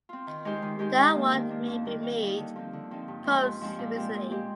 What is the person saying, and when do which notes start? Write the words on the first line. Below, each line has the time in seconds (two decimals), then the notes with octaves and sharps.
The award may be made posthumously.
0.09 C4 F4
0.27 D#3
0.45 G#3 D#4 G4 C5
0.62 D#3
0.79 G#3 D#4 G4 C5
0.97 D#3
1.15 A#3 D4
1.32 D#3
1.50 A#3 D4
1.67 F2
1.85 D#3 G3 A#3 D#4
2.03 F2
2.20 D#3 G3 A#3 D#4
2.37 D3
2.56 F3 C4 D#4
2.73 D3
2.91 F3 C4 D#4
3.08 G2
3.25 F3 G#3 C4 F4
3.43 G2
3.61 F3 G#3 C4 F4
3.79 A#2
3.96 G#3 C4 G4
4.14 A#2
4.31 G#3 C4 G4